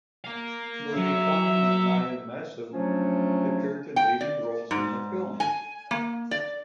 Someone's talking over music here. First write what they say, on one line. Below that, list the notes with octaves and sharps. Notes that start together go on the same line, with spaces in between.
Moin Khan and Nyla Masood appeared in leading roles in the film.
A#4 F5
F#3 E5
F3 F#3 A3 C#4 D4
G5
D5
G#2
G#5
A#3
D5